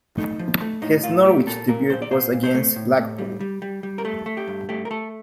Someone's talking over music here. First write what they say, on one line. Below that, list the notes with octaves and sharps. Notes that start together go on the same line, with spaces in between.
His Norwich debut was against Blackpool.
A3 D#4
F3
A3
A2 D#4
A2 F4
A3 G4
A#2 A4
A#2 A#4
A#2 C5
D5
A#2 C5
A#2
C5
A3
A2
A2
G3
G3
G3
G3
A#4
A3 A4
A3
G4
G2
A3 G4
A#4
A3 A4